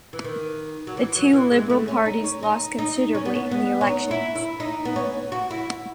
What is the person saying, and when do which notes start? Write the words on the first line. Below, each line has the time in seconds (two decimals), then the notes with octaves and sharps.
The two liberal parties lost considerably in the elections.
0.13 E3
0.24 D#3
0.87 F#3
0.97 E3
1.16 F#3
1.33 E3
1.51 G#3
1.70 A3
1.88 C#4
2.06 D#4
2.24 C#4
2.43 D#4
2.78 D#4
3.14 C#4
3.25 B3
3.35 C#4
3.51 B3
3.81 C#4
3.87 D#4
4.11 E4
4.36 E4
4.60 D#4
4.85 B3
4.96 C#4
5.32 F#4
5.50 E4